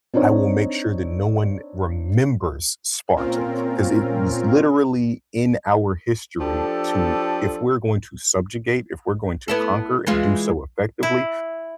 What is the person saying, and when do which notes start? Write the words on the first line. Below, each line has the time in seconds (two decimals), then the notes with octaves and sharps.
I will make sure that no one remembers Sparta." 'Cause it is literally in our history to if we're going to subjugate, if we're going to conquer and do so effectively,
0.14 C4 D4 D#4 C5 C#5
3.16 A#2 C4 C#4 F4 A#4
6.41 F3 D4 G4 A4
9.48 B3 E4 A4
10.07 E3 G#3 F4
11.03 E4